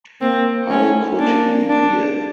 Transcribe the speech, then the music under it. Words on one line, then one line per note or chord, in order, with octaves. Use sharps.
How could he bear!
A#3 C4
A3 C#4
A#3 D4
D4